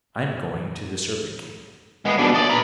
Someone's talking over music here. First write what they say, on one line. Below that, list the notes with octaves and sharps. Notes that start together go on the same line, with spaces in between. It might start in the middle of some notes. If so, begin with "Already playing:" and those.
'I am going to the Serpent King.'
G#3 B3
B2 D4
D5 D#5
B4 A#5